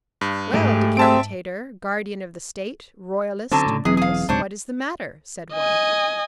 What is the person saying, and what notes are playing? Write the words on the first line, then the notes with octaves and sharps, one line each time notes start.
"Well, Decapitator, Guardian of the State, Royalist, Brutus, what is the matter?" said one.
G2
G#2 A3 G4 G#4
C4 E5 A5 D7
D3 F#3 C4 C#4 A5
A2 C#3
E1 E3 F#3 C4 G#4
G#4 F5
C#2 G#2 C3 D4 C5 C#5
D#5 G#5